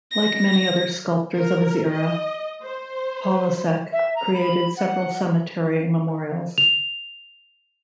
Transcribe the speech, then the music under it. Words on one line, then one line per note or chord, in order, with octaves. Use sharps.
Like many other sculptors of his era, Polasek created several cemetery memorials.
A#6
A#4
D#5
C5
E5
A#5
B5
F#5
F7